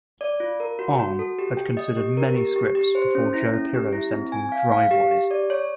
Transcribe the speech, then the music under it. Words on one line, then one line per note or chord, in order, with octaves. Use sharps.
Ahn had considered many scripts before Joe Pirro sent him "Driveways".
D5
F4
A#4
F#4
F#4
A4
G4
G5
D#5
G4
A#4
G4
G4
G4
C5
C#4
E4
C#4
G4
E4
C4
G#5
F5
F5
G4
G4
D5
C#5